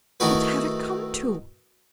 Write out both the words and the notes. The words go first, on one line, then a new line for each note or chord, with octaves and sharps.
"What have it come to?"
D#3 A3 D#4 E4 F#4 B4